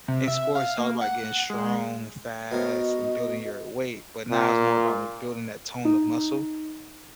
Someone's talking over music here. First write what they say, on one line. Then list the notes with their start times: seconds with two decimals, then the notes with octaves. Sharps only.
in sports, it's all about getting strong, fast, and building your weight, but now it's more about me building that tone of muscle
0.08 C3
0.28 E5
0.55 F5
0.78 A#3
1.01 F#5
1.50 G#3
2.51 B3 F#4 A#4 C5 D#5
4.30 A#2
5.85 D#4